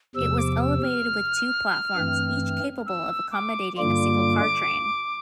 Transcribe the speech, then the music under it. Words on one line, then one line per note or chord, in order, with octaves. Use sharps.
It was elevated with two platforms, each capable of accommodating a single car train.
E2 C3 F3 E6
D6
E6
F6
G2 E3 A3 C4
E6
D6
G2 D3 G3 A#3 F4 D6